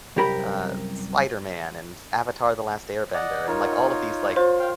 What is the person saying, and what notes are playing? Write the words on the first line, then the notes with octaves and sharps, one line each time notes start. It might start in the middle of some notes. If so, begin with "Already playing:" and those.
Uh, Spider-Man and Avatar: The Last Airbender, and like all of these, like,
C2 F#2 G4 A#4 B5
D5 D#5 F#5
D#4 F4 A#4 C#5
F#5
F4 C5 C#5
F5 G5